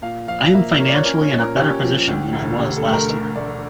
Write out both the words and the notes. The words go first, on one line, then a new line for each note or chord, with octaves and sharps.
I am financially in a better position than I was last year.
A#2 F5
F3 F5
A#3 E5
A#3 C#5
D5
C#5
C#4 A#4
C#5
A#2
A#4
C#4 G4
F3
D2
E1
D2 G4
A4
A3
A#4
A3 A#4
A3 D5